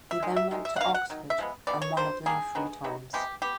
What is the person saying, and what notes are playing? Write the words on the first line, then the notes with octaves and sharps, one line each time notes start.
He then went to Oxford, and won a blue three times.
E5
D#3 G#3
E5
D#3 G#3
E5
F#5
D#3 F#3 A#3 F5
F#5
D#3 F#3
E5
F3 G#3 B3
F3 G#3 B3 D5
C#5
D3 G3 A#3 C5
D3 G3 A#3 G#4
D#3 F#3 B3
D#3 F#3 B3
C3 F3 G#3 B3 G4
B3 G4